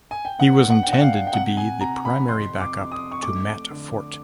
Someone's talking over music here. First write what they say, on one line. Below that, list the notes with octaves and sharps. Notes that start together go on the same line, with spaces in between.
He was intended to be the primary backup to Matt Forte.
G#5
G5
B3 F#5
F#5
D4 G5
F#5
F5
G5
C3 F#5
G#5
C3 A#5
B5
F2 C6
D6
F2
D#6
C#6
A3 D6
D3